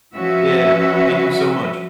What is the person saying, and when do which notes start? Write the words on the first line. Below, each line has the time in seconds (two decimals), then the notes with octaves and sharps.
Yeah. Thank you so much.
0.15 F3 G3 C#4 F#4 B4 E5